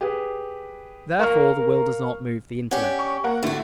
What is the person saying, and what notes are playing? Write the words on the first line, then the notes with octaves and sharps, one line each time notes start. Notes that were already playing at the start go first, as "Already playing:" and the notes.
Therefore the will does not move the intellect.
G4 G#4 B4
A#4 F5 C#6 F6
C#4 D4 G4 F#5
C#6
A#3 A#4 F#5
A2 D3 A3 F#4